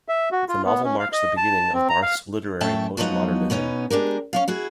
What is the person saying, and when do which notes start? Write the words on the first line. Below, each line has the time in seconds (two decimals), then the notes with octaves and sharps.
The novel marks the beginning of Barth's literary postmodernism.
0.08 E5
0.32 F#4
0.49 F4
0.65 B3
0.84 C#4
1.00 F5
1.13 D#5
1.37 A5
1.74 C4
1.89 A#5
2.02 F5
2.61 F#2 A2 A4 E5 G5 A5
2.97 F3 F#3 G#3 B3 D#4
3.50 B2 B3 C#4 D#4
3.90 G#3 D4 G4 A#4
4.33 C#4 D4 F5
4.48 E4 F#4 G#4